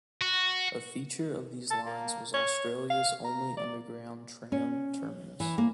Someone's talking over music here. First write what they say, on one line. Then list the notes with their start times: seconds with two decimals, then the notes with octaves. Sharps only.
A feature of these lines was Australia's only underground tram terminus.
0.21 F#4
1.70 A5
1.86 A#3
2.34 C#5
2.90 F5
3.25 A#5
3.57 D5
4.52 C#4
5.40 E3
5.58 A#3